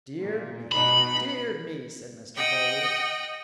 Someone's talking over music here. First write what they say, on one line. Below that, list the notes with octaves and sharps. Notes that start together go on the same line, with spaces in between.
"Dear me, dear me," said Mr. Bowley.
A#2
B2 D#4 B5
D#5 F#5 G5